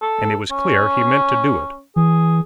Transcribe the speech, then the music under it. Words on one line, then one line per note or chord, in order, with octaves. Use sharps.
And it was clear he meant to do it.
A4
C#4
E3 G#4